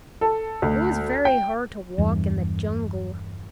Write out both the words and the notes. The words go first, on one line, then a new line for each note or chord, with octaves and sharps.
It was very hard to walk in the jungle.
A4
D2
G5
E2 G2